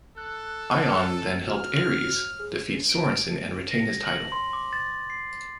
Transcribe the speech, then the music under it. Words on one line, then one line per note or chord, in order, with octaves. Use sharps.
Ion then helped Aries defeat Sorensen and retain his title.
A4 F#6
F#4 F6
G#4
D7
A#6
F#7
C6
D6
A6
C7